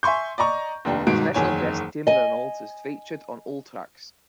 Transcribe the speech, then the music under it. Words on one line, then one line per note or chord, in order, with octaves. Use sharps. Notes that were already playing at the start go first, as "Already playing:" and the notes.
Special guest Tim Reynolds is featured on all tracks.
E5 G#5 C6 C#6 G6
D5 D#5 A#5 C#6
F1 D#2 D4
G1 G#2 B2 D#3 D7
F#1 E2 D#3 C#5 G#5
D#5 G#5